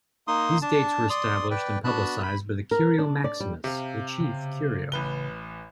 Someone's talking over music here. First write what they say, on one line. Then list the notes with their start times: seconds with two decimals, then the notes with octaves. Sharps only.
These dates were established and publicized by the "curio maximus", the chief "curio".
0.28 A#3 D#4 C6 D#6
0.62 D4 A5
1.10 D5 C6 D#6
1.51 B4 D5 G5
1.84 B3 D4 F#4 A5 B5 F#6
2.23 B5
2.71 A#4
2.99 D4
3.24 D5
3.40 G3
3.64 C3 E5 F5
4.20 C#3 F5
4.92 A1 B4 G7